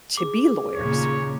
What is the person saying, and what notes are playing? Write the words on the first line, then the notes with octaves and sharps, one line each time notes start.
to be lawyers,
G#4 D6
D#2 A#2 C#3 C#5